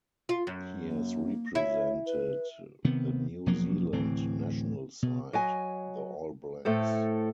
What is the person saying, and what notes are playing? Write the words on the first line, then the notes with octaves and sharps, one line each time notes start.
He has represented the New Zealand national side, the All Blacks.
F4
F#2
A#3
E4 C#5
B4
C3 D#3 B3
E1 F3 F#3 A#3
D1 A2 E3 C4
B2
F#3 D#5 G#5
A2 A3 A4 C5